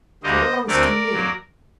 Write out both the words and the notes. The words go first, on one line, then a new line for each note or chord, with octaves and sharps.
She belongs to me.
D2 D3 G3 A#3 C5 D#5
D2 D3 A3 C4 A#4 D5
F#2 F#3 A#3